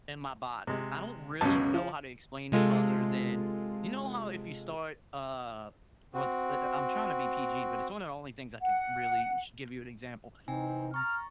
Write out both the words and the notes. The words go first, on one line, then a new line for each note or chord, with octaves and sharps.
in my body. I don't really know how to explain it other than you know, how if you start, uh, what's eh eh I'm tryna be PG, but it's one of the only things I could really should give you an example,
C3 G#3
C#2 F#2 B2 C#4 A5
F3
C3 G#3 F4 A4
C4 F#4
F#5
C3 E3 C4 D#4 G5 G#5
A#5 C#6 F6 A6